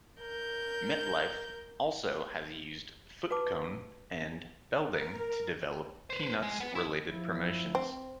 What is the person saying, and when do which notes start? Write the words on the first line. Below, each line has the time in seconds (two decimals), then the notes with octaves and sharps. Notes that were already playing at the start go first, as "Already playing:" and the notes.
MetLife also has used Foote Cone and Belding to develop Peanuts-related promotions.
0.20 A#4 G6
3.30 F#4 B4 A5 D6
4.88 A#4
6.10 B4 C5
6.42 G#3
6.60 B3 B4
6.75 E4
7.08 F3 E4
7.75 C4